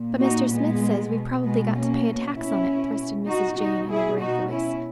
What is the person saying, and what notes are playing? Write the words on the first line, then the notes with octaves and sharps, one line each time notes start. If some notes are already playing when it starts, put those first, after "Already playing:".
"But Mr. Smith says we've probably got to pay a tax on it," thrust in Mrs. Jane, in a worried voice.
Already playing: A#2
D#4 F#4
G#3 B3
B2
G#3 B3
A#3 C#4
B2 C#4 E4
D#4 F#4
B2 D#4 F#4
E4 G#4
D#4 F#4
C#4 E4